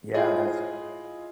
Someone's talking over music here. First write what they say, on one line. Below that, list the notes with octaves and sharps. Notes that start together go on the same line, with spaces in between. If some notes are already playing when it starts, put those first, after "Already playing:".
Yeah. That's
E4 F4 G#4 D#5